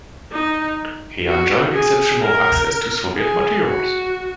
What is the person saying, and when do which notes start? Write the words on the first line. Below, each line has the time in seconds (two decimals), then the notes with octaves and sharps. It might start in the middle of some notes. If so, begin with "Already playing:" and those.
He enjoyed exceptional access to Soviet materials.
0.32 D#4
1.26 F#4
1.73 G#4
2.22 A#4
3.17 G#4
3.64 F#4